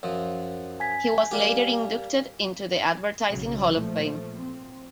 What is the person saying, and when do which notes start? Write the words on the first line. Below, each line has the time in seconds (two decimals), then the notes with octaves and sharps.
He was later inducted into the Advertising Hall of Fame.
0.03 F#2 F3
0.80 G#5 G#6 B6
1.31 G3 A#3 G4
3.29 B1 C#3 F#3
3.72 A#2 F3 A3
4.37 C4